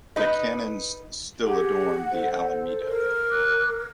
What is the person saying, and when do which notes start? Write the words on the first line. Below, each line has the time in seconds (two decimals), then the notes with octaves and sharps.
The cannons still adorn the Alameda.
0.16 D#4 B4 D#5
1.45 G4 G#4 F#5
2.11 A4 C5
2.87 A#4
3.32 D6 F#6